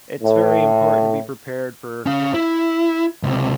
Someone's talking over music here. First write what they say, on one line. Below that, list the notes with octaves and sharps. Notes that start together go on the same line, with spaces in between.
it's very important to be prepared for,
A2
C#4 F5
E4
C#2 C3